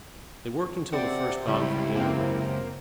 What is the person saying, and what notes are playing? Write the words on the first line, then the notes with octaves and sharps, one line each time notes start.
They worked until the first gong for dinner rang.
C3 C4 D5 F#5
C#2 G3 E4
F#2 A#3 C4